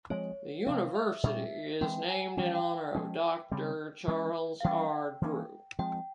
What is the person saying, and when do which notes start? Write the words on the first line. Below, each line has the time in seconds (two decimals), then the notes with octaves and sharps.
The University is named in honor of Doctor Charles R. Drew.
0.10 F3 G#3 C4 C#5
0.67 C3 F3 C4 F5
0.95 E5
1.23 A#2 G3 C#4 E5
1.81 E3 G#3 C4 G5
2.10 G#5
2.37 E3 G3 C#4 G5
2.45 F5
2.55 G5
2.95 F3 G#3 C#4
3.51 C#3 G3 C4
4.07 E3 G#3 C#4
4.60 F5
4.64 E3 G3 C#4 G5
5.22 E3 A#3 C#4
5.79 F3 G#3 C4 G5